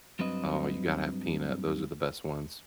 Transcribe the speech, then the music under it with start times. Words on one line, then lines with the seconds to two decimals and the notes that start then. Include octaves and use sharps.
Oh, you gotta have peanut, those are the best ones.
0.19 G2 F#3 C4 B4 D#5